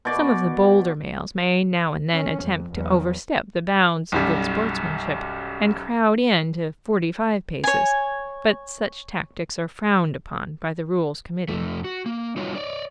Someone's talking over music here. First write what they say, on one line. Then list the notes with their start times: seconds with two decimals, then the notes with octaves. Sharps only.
Some of the bolder males may now and then attempt to overstep the bounds of good sportsmanship and crowd in to forty-five paces, but such tactics are frowned upon by the Rules Committee.
0.05 B2 D5 D6
2.13 C#4
2.42 F2
2.73 E2 F#3
4.12 B1 F#2 G3
7.64 C#5 G#5
11.49 F2 A3
11.85 F#4
12.06 A#3
12.36 G3 D#4 F4 F#4 C#5
12.55 C#5 D5